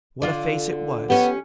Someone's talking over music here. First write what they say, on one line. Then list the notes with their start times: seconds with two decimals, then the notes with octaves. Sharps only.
What a face it was!
0.22 D3 F4 D5
1.10 B3 C#4 G4